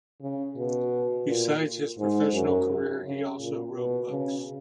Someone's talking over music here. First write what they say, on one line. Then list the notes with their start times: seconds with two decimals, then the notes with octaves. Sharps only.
Besides his professional career he also wrote books.
0.21 C#3
0.57 B2
1.28 A#2
1.99 G#2
2.33 F#2
3.05 C#3
3.40 A#2
3.75 B2
4.10 C#3